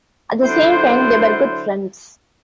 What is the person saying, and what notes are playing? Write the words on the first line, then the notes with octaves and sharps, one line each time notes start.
At the same time, they were good friends.
D3 F#3 E4 C5